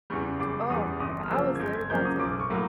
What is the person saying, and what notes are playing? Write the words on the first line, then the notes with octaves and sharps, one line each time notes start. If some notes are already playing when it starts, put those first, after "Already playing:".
Oh my god, I was literally about to
E2 C#3 E3 G3 C#6
F#1 D6
E2 C#3 E3 G3 D#6
G1 D#6
F6
F#2 C#3 F3 A#3 E6
G#6
G1 G6
G#6
F#2 C#3 F3 A#3 G6
D#6
B1 D6
C#6
A2 F#3 A#3